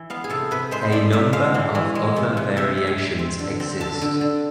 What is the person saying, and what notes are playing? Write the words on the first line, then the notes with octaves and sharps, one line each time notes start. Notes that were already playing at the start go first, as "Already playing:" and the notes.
A number of other variations exist.
Already playing: E3
B3 F5
G#4
C3 A4
C3 B4
G#3 C5
A2 D5
A2 E5
G#3 F5
E3
E3
G#3
C3
C3
C3 E5
C3
G#5
C3
C4
D3
C4
D3 A5
D3
D3